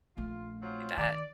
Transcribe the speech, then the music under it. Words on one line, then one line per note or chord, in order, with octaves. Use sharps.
I bet.
A#1 A3 F4
F#3 C4 F4
D#3 D5